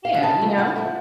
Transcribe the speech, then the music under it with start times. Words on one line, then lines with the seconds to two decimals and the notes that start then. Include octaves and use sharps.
Yeah, you know?
0.05 F5
0.15 F#5
0.23 C#3 A5
0.41 F3 A3
0.58 C#3 F#5
0.76 F3 A3